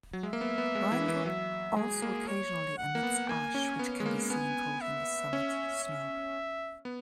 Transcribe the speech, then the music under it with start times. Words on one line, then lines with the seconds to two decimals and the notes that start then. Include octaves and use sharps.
Wrangell also occasionally emits ash, which can be seen coating the summit snow.
0.13 F#3
0.23 G#3 E5
0.33 A#3
0.41 B3
0.58 B3
0.75 G#3
0.92 E3
1.08 E3
1.25 F#3 E5
1.76 G#3 G#4
2.02 A#3
2.27 C#5
2.78 F#5
2.95 A#3
3.03 B3
3.29 A#3 G#5
3.55 C#4
3.79 B3
4.00 G#3
4.06 A#3
4.30 B3 G#5
4.81 E5
5.33 C#4
5.84 E5
6.85 B3